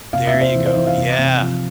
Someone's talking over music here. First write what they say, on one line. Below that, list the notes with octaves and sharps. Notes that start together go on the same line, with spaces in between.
There you go, yeah.
C3 F5
E5
C3
C5
E3
C5
E3
F5
C3
C3
F3